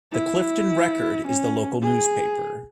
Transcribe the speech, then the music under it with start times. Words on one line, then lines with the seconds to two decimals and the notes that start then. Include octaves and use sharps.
"The Clifton Record" is the local newspaper.
0.12 E4
1.27 C#4
1.81 G#4